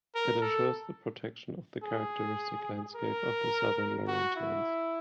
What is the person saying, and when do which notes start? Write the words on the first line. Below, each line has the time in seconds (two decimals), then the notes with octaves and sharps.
It ensures the protection of the characteristic landscape of the Southern Laurentians.
0.15 A#4
0.42 A4
1.83 G#4
2.95 A#4
4.07 F#4
4.36 E4